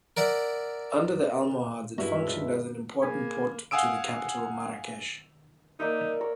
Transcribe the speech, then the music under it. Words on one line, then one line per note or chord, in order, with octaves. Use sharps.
Under the Almohads it functioned as an important port to the capital Marrakesh.
A#4 D5 E5 F#5
C#2 G2 E4 F#4 E5
A#3 G#4 G#5 B5
F5 F#5 G#5 D#6 E6 D7
A#3 D#4 D5 E5
A#4 C#5